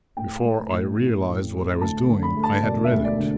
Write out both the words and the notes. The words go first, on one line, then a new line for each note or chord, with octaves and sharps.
Before I realized what I was doing, I had read it.
A2 G5
A3
A1
A1
A2
A3
D2 A5
D3
B5
A3
A5
E1 D5
E5
D2
D5
D3